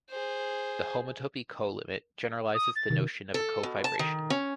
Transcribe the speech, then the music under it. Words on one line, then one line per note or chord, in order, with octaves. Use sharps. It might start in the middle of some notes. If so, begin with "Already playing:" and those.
The homotopy colimit generalizes the notion of a cofibration.
G#4 C5
D#6
A6
C3 D#3
A4
B2
A5
D#3
C#4